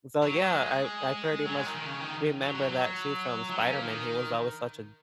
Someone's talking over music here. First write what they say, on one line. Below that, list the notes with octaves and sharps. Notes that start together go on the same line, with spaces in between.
So, yeah, I I pretty much remember that too from Spider-Man. He was always such a
F#3
F#3
G#3
F#3
G#3
D#3
D#3
C#3
D#3
F#3
F#3
F#3
F#3
C#4
A#3
D#3